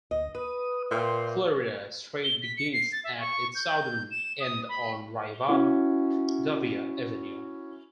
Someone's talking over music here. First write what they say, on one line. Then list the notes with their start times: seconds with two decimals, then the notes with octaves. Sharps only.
Florida Street begins at its southern end on Rivadavia Avenue.
0.11 D2 D#5
0.35 B4 D#6
0.91 A#2 E5 G5 C6
2.24 G7
2.42 B6
2.57 C#7
2.73 C7
2.92 A6
3.04 E5
3.20 C#6
3.55 G6
4.11 E7
4.40 D#6
4.69 B5
5.48 C#4 E4 F#4